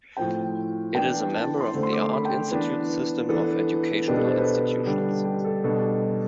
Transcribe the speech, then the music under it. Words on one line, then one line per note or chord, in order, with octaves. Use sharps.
It is a member of The Art Institutes system of educational institutions.
A2 F3 C4 G5
E3 B3 D4 G5
A5
C6
D3 A3 C4
C6
D6
C6
B5
G5
E3 B3 D4 B4
E3 B3 D4 A4
B2 B3 D4 G4
A4
C5
B4
D3 G3 D4
G4
A4
B2 G3 D4 A4